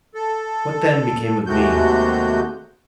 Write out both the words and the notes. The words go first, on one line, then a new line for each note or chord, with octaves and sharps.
What then became of me?
A4
D#2 C3 G#3 A3 F#4 G6